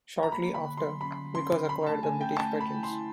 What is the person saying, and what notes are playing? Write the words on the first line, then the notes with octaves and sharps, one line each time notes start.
Shortly after, Vickers acquired the British patents.
A#5
A#3 B5
D3
B5
D3
C6
F#3
C#4 B5
D3
C#4 C6
D3
C#4 B5
A3 A5
A3 G#5
C#4 G5
A3 A5
A3
B5
E4
C6
E4